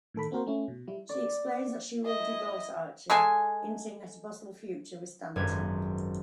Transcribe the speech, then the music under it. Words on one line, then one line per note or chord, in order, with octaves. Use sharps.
She explains that she will divorce Archie, hinting at a possible future with Stanton.
A2 D#3 A4 B5
A#3 C4 F#4 A#4 C5
A3 C#4 E4
B2
G3 E4
D5
E4 D#5
G#3 A4 G#5
G#1 F#2 G3 F4 B4 G#6